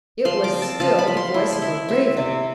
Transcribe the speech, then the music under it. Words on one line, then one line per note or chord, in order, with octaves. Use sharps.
It was still the voice of a raven!
F3 C6
D6
C4
A5
F3 A5
B5
F3
C6
E4
C6
E4
C4 E5
C3